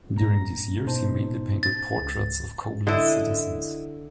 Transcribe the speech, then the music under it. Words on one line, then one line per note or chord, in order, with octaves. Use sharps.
During these years he mainly painted portraits of Koblenz citizens.
G2 A#2 A#5 A#6
B2 D#4 C5 A5
A6
C#2
D3 E4 D#5